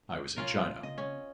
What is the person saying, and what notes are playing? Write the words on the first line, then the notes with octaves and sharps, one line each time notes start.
I was in China.
C2 A#2 C#4 F4 A#4
C#3 A#3 C4 D#5
C#4